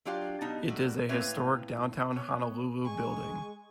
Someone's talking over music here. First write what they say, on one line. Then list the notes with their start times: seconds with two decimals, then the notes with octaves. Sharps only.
It is a historic downtown Honolulu building.
0.05 F#3 D4 F4 G4 D5 F5
0.41 B2 D#4 A5
0.68 G3 A3 F#4
1.09 A2 A#3 C4 B4 C#5 E5
2.13 B3 C#5
2.85 G#3 G#5 C#6